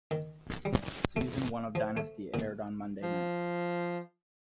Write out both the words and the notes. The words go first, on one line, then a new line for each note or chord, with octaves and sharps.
Season one of "Dynasty" aired on Monday nights.
D#3
G3
A3
F3
A3
A#2
F3